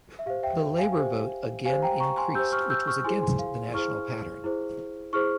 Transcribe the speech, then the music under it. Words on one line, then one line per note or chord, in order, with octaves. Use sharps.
The Labour vote again increased which was against the national pattern.
E5
G4 C5 F5
E5 G5
F5 G#5
G4 C5
G4 C5 F5 G#5
G5 A#5
A#5 C#6
G#5 C6
G4 C5 E6 G6
C#6 F6
E6 G6
C#6 F6
E4 G#4 C5 G#5 C6
G#5 C6
F5
E4 G#4 C5 C#6 F6
E4 G#4 C5
E4 G#4 C5 C#6 F6